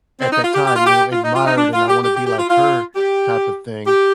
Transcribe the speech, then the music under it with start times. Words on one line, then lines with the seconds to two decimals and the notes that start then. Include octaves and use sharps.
at that time, you know, admired and "I wanna be like her" type of thing.
0.20 C4
0.31 D#4
0.43 F4
0.54 G4
0.65 G4
0.76 F4
0.86 G4
1.11 F4
1.23 D#4
1.35 F4
1.46 D#4
1.57 D4
1.73 F4
1.88 G4
2.03 G4
2.15 G4
2.26 G4
2.38 F4
2.49 F4
2.95 G4
3.86 G4